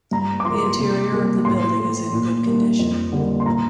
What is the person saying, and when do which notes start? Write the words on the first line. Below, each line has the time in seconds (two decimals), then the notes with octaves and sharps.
The interior of the building is in good condition.
0.11 G2 A#5
0.40 D6
0.45 F3 A#3 C6
0.79 C3
1.12 G3 A#3
1.45 A2 C6
1.79 A3
2.12 A#2
2.46 G3 A#3
2.79 F2
3.13 D3 G3 A#3
3.40 C6
3.46 A#2 A#5